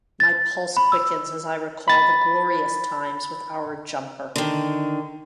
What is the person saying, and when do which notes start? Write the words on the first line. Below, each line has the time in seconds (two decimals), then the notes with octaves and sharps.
My pulse quickens as I recall the glorious times with our jumper.
0.20 A6
0.77 B5
0.92 E6
1.88 B5 A6
4.36 D3 D#3